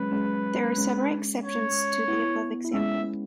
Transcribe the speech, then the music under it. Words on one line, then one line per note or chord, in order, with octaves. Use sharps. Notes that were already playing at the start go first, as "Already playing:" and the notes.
There are several exceptions to the above example.
Already playing: F#3 G#3 C#4 B4
G#3 C#4
G#3 C#4
C#5
B3 E4
E4
G#3 C#4 E5